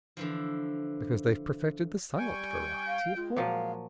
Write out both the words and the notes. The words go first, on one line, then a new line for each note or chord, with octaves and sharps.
Because they've perfected the silent variety, of course.
D3 E3 F3
G3 G5 G#5 C#6
F5
G#3 F4
A#2 F3 F#3 F5